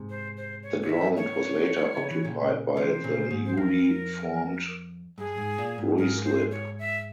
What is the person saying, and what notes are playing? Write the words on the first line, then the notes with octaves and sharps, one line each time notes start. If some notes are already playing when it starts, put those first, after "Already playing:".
The ground was later occupied by the newly formed Ruislip.
Already playing: G#2 C3
C5
C5
C#5
C#5
E5
C#5
C#3
E3
A#2 C#3
C3 E3 C5
A#2 C#3
G#2
C5
F2 A#4
G2 G#4
G#2
A#2
G#2
G#2 A#4
C5
C#5
E5